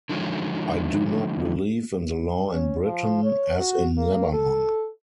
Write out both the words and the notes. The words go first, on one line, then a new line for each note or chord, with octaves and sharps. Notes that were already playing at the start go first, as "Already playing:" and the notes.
I do not believe in the law in Britain as in Lebanon.
D3 D#3 F3 F#3 G#3
C#4
F3
C#5
F#4
A#3
A4